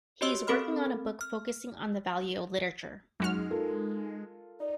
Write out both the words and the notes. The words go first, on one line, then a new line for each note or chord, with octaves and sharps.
He is working on a book focusing on the value of literature.
F#4 G4 C#5 D#5 C6 E6
C4 A4 A#4 B5 F6
F6
F#2 G#3 D#4 F#4 F6
F4 A4 A#4
D#4 D5